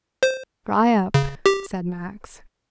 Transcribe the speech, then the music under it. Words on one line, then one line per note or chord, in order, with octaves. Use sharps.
"Dry up," said Max.
C5
C#3
G4